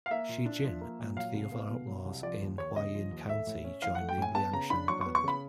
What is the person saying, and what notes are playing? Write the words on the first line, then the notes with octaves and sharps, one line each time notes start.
Shi Jin and the other outlaws in Huayin County join the Liangshan band.
F5
A#3 E5
A#2
D4
F3
A#3
A#2
F#3 F5
C2
B3
B2
F#3
C2
F3 D5
D#2
D#2 C#5
C#3 D#5
F3
D#2
A3 E5
A2
C#4
E3 F5
A3 F#5
G5
A2 G#5
B3 A5
C#3 A#5
D4 B5
F#3 C#6
C#6
B3
C#6
C#3 B5